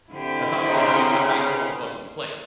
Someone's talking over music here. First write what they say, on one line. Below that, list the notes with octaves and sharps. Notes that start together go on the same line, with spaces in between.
That's obviously how you saw basketball supposed to be played.
D3 C4 E4 G4
C#3 D#5 A#5 C6